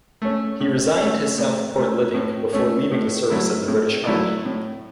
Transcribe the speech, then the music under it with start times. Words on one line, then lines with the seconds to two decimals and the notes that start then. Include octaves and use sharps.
He resigned his Southport living before leaving the service of the British Army.
0.22 A3 C#4
0.60 A2
1.00 A3 C#4
1.38 A2
1.76 A3 C#4
2.14 A2
2.53 A3 C#4
2.91 A2
3.30 F#3 A3 E4
3.68 A2
4.07 F#3 A3 E4
4.46 A2